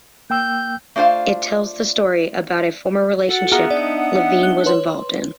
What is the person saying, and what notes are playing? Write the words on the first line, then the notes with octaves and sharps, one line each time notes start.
It tells the story about a former relationship Levine was involved in.
A#3 G5 E6 G6
A3 D4 F4 C5 F5
F#4 A4 F#5
B3 F4 F#4 G#4 A#4 E5 F#5
D4 D#4 D5 D#5
F#6 G7
B4 C#5 C6